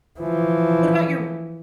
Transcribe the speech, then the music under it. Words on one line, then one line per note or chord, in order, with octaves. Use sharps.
What about your
E3 F3